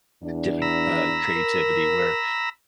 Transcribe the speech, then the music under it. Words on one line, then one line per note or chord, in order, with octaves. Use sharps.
different, uh, creativity where,
E2 D4
A#5 B5 E6
A#4